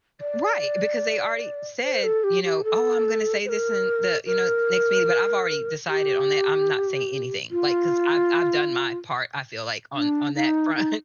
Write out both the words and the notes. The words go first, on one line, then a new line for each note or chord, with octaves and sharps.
Right, because they already said, you know, "Oh, I'm gonna say this in the," you know, "next meeting," but I've already decided on that, I'm not saying anything, like, 'cause I've I've done my part I feel like, on on that front.
D5
C5
A4
G4
G4
A4
C5
A#4
A#4
G4
F4
D4
D#4
D#4